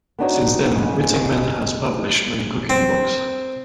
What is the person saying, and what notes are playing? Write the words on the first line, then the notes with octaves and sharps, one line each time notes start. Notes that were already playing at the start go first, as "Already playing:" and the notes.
Since then, Witzigmann has published many cooking books.
B3 C4 D4 D#4 F#4 C#5
G#2 C#3 G#3
C4